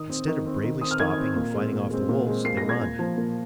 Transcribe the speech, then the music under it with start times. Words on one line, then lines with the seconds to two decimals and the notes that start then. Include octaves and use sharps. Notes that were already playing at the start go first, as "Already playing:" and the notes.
Instead of bravely stopping and fighting off the wolves, they run.
Already playing: D#3 D#6
0.10 C4
0.27 D#3
0.46 C4
0.63 D#3
0.81 C4 D#6
0.91 F6
1.00 D#3 G#6
1.18 C4
1.36 A#2
1.54 G#3 C4
1.73 A#2
1.91 G#3 C4
2.09 A#2
2.26 G#3 C4
2.45 A#2 C7
2.57 A#6
2.63 G#3 C4
2.69 G#6
2.81 A#2
2.99 F3 A#3
3.17 A#2